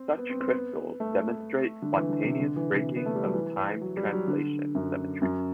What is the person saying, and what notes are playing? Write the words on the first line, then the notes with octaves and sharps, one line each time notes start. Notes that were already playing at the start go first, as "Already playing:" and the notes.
Such crystals demonstrate spontaneous breaking of time translation symmetry.
Already playing: C4
B3
C4
C4
B3
A3
D3
E3
D3
C3
D3
E3
C3
B3
A3
G3
F#3
E3
F#3
G3
F#3
D3
F#2
F#2